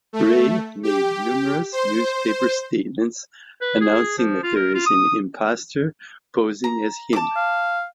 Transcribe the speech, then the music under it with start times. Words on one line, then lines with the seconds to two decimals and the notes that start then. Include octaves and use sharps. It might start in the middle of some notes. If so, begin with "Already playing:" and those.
Rey made numerous newspaper statements announcing that there is an imposter posing as him.
0.13 A3
0.83 G4
1.72 C5
3.61 B4
3.81 G#4
4.18 F3
4.43 F4
4.56 A#4
4.74 F4
4.86 D#6
6.64 A#5
7.13 A5 D6
7.36 F5